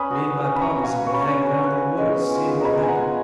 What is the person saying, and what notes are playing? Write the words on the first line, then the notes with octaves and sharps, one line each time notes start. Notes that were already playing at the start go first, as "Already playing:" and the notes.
Me an' my pardners have been hangin' 'roun' in the woods, seein' what would happen.
Already playing: C#4 B4 G#5 B5 D#6
F#4
B4
C#4
B5
C#4 A#5 C#6
F#4
F5 G#5
B4
C#6
C#4 B5
A#5 C#6
C#4
F#4
B4
C#4
G#3
B3
F4
G#4
A#5
G#3 G#5 B5
B3 G#5
F#5 A#5
F4